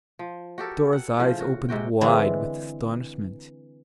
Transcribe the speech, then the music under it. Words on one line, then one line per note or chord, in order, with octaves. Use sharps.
Dora's eyes opened wide with astonishment.
F3
F#4 G4 A4 A#4
F#5
A2 C#3 F3
F#4
G#2 C3 F#4 G5
D3 E3 G#3 C4 D4